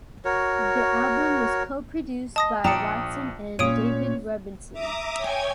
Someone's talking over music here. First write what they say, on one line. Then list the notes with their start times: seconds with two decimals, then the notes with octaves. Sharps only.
The album was co-produced by Watson and David Rubinson.
0.25 F#4 A#4 C#5
2.36 D#5 A5 D#6 A#6
2.64 A#1 D5 G5 A5 A#5 D#6 C#7
3.59 A#2 C#4 C#5 D#6 D7 D#7
4.73 E5 A#5 D6 D#6
5.17 C#5 G5 G#5 G#6